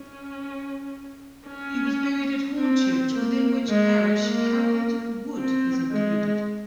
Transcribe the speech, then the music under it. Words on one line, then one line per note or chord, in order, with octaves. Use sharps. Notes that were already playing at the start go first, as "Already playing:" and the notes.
He was buried at Hornchurch, within which parish Harold Wood is included.
Already playing: C#4
C#4
C4
A#3
G#3
A#3
C4
G#3